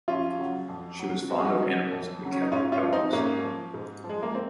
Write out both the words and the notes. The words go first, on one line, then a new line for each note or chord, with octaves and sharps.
She was fond of animals and kept dogs.
F2 C#4 F4
C#3 F#3
F2
C#3 F#3
F2 F#4
G#4
D#4 F#4
C#3 F#3
F2
C#3 F#3
C#4
D#4
G#2 C#4 F4
C#4 F4
F3
C4 D#4
G#2 A#3 C#4
F3
G#2
F3
G#3
A#3
C4